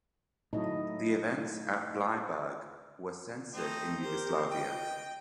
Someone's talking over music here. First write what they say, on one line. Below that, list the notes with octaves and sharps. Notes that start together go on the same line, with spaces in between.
The events at Bleiburg were censored in Yugoslavia.
A2 F#3 D#4 E4 D#5
A3 C4 D#4
G4 A#4 C5
D#5 G5